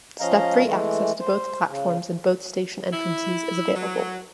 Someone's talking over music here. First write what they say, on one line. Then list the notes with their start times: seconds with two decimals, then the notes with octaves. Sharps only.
Step free access to both platforms and both station entrances is available.
0.20 F3 C#4 D#5 F5 A#5
0.64 E3 G#3 A3
1.20 C5
1.68 C#3
2.93 E4
3.75 F#3